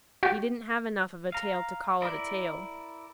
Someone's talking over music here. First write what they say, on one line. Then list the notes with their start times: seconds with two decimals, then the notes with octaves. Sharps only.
He didn't have enough of a tail to call it a tail.
0.23 F#4 G4
1.32 F5 A#5
2.02 E4 A#4 D5